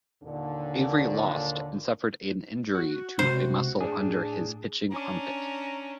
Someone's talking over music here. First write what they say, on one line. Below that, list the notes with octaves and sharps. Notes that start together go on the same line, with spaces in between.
Avery lost and suffered an injury to a muscle under his pitching armpit.
D#2 A#2 D3
F#4
C#2 C3 C5
A2 D4 G#4
C#4 D4 A#5